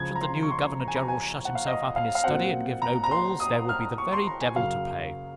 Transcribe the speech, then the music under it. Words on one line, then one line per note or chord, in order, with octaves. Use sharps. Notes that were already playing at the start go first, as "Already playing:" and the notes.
Should the new Governor-General shut himself up in his study, and give no balls, there will be the very devil to pay!
Already playing: C#2 C#3 F3 G#6
A#5
C6
C#6
C6
A#5
G#5
A#5
G#5
F#5
F5
D#5
F5
F5
A#2 F#3 C4 F#5
A#5
A#5
C6
D#6
F6
C#6
C6
A#5
G#5
F#2 C#3 F#3 F5